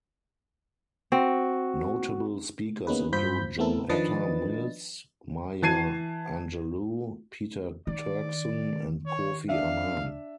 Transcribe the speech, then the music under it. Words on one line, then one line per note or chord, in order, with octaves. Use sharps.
Notable speakers include John Atta Mills, Maya Angelou, Peter Turkson and Kofi Annan.
C4 F#4
A#3 B3 C#4 D#4 G#4 B4
G2 F4 C5 B5 G6 B6
A3 B3 C4 E4 A4 A#4
D#3 F3 D4 B4 D#5 A6
E3 A5 G#6 C7 D#7
D#3 D5
C#5
D4 E5 F5